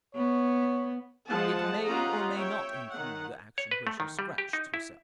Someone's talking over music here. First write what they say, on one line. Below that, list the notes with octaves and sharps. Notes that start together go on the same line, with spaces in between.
It may or may not include the action where she scratched herself.
B3 C#5
F3 G#3 F#5 A5
C#4 F4 G4 D#5 F#5 A#5
C#5 E5 G5
D#3 F#5
C#5
B4
A3
D#3
G3
G4
D#4
E4